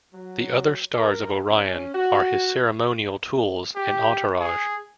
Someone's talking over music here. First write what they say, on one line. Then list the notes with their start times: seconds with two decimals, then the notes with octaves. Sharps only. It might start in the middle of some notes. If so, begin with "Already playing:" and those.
The other stars of Orion are his ceremonial tools and entourage.
0.13 F#3
0.95 A#4
1.49 C#4
1.93 F#4
3.76 G4
4.41 G#4